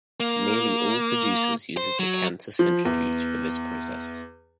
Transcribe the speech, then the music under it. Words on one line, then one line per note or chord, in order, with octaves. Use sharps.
Nearly all producers use a decanter centrifuge for this process.
A#3
C5
F#3
F3
E2